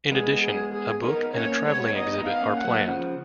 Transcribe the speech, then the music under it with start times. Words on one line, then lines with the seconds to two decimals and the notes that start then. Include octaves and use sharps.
In addition, a book and a travelling exhibit are planned.
0.11 G#3 B3 G#4
0.42 G#4
0.73 G#4
1.03 B3 D#4 A#4
1.34 A#3 C#4 C#5
1.65 G#3 B3 C#5
1.95 B3 D#4 D#5
2.18 B3 D#4
2.25 F5
2.41 A#3 C#4
2.57 F#5
2.64 F#3 A#3
2.87 C#3 F3